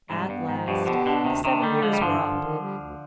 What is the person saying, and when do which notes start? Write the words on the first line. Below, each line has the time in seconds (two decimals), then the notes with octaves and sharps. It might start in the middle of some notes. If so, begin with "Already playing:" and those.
At last the seven years were up.
0.10 G#2 C3 G3
0.29 G2 B3
0.48 G#2 F3
0.68 G2 B2 G4
0.86 B2 D3 B3
1.06 B2 D3 D4
1.25 D2 C3 D#3
1.44 C3 D#3 D4
1.63 D3 D#3 G3
1.82 D3 F3 G#3
1.93 G3
2.01 G2 D3 F3
2.20 G2
2.39 D#3
2.59 G3
2.78 D2